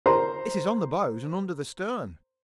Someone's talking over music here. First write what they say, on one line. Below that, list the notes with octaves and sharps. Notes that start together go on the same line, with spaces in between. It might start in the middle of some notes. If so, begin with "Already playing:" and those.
"It is on the bows and under the stern."
A#4 C5 A#5 C6